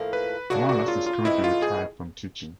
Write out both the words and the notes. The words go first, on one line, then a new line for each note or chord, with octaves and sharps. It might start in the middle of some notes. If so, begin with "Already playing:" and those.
Wallace is currently retired from teaching.
Already playing: A2 F3 A#3
B4
C#3 F#3 A#3 D4 F#4
F#4
F4
F4
A2 E3 G#3 C4 E4
F4
G#4